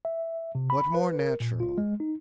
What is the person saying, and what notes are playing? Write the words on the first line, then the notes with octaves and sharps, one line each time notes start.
What more natural!
E5
C3
B5
B4
A#4
A#2
F4
G#3
D#4